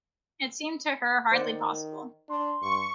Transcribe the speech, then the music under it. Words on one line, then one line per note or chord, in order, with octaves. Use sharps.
It seemed to her hardly possible.
D#3 C5 D5 F#5
D4 C6
G2 C#6